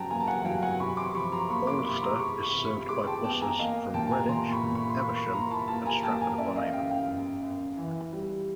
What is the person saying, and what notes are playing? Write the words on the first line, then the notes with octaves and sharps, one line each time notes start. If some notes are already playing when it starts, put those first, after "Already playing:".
Alcester is served by buses from Redditch, Evesham and Stratford upon Avon.
Already playing: C#3 F#3 G5 A5 A#5
A#3 G#5 A#5
A5
F#5 G#5
F#3 F5 G5
F#5 G#5
C3 B5 C#6
C6 D6
F3 B5 C#6
A#5 C6
A#3 B5 C#6
C6 D6
D6
C3 B5 C#6
A#5 C6
D6
G#3 B5 C#6
B5 C#6
C3
B5 C#6
G#3 C6 D6
G5 A5
B3 G5 A5
G#5 A#5
A#3 D#5 F5
A#2 G5 A5
A5
G#5 A#5
A#2 A#5 C6
B5 C#6
A#2
B5 C#6
C6
A#3 B5 C#6
B5 C#6
B5
A#3 A#5 C6
A5 B5
A#3 A5 B5
G#5 A#5
A#3 G5 A5
G#5 A#5
F#2 D5 E5
D#5 F5
F#2 F5 G5
F5 G5
F#2
F#2
E3
G3